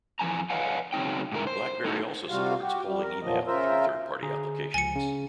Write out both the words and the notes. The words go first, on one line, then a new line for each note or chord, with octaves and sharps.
BlackBerry also supports polling email, through third-party applications.
F2 E3 F3 G#5 A#5
B4 C#5 D#5 F5 F#5 G#5
C#3 F#3 C4 D#4 G5
G#2 D3 E4 A#4
C5
A3 D#4 F#4
C3 G3 F4 F#4 F5
F#4 G4
G3
A#4
E2 A#2 F3 F#3 D#5
C#3 F4 A#4 C5 E5
D3 G#4 A#5
C#2 F3 G#5 C#7
C#3